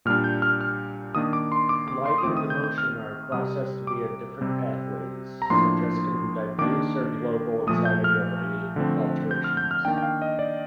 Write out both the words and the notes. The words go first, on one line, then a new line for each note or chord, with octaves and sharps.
Light and motion are processed via different pathways, suggesting diffuse or global excitability alterations.
A#2 G3 D4 F6
G6
F6
F6
D#3 A#3 D4 D#6
D6
C6
D6
D6
C6
D#6
D#3 A3 C4 D6
D#6
G6
G6
F6
C3 G3 C4 D#6
D6
C3 G3 C4
A#5
A2 F3 A#3 D4 C6
D#3 A#3 D4 D6
A#2 F3 A3 D#6
G6
F6
D3 F3 A3 C4
G6
F6
G6
F6
D#3 A#3 D4 G5
G5
F5
D#5
D5